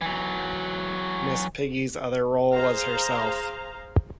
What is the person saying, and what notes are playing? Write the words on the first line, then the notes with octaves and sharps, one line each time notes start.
Miss Piggy's other role was herself.
E3 F#3
G#4 C5 F5 A#5